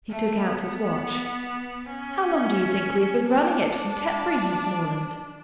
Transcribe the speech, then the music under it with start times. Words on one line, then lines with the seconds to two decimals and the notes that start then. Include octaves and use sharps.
He took out his watch: "How long do you think we have been running it from Tetbury, Miss Morland?"
0.10 A3
0.45 B3
1.86 C#4
3.26 D4